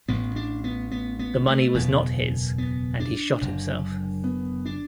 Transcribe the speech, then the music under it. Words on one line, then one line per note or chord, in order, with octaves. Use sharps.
The money was not his, and he shot himself.
A1 A2 B3
D4
B3
B3
B3
A3
F#1 E2 B2 B3
B3
D4
F#1 F#2 D3
B3
D4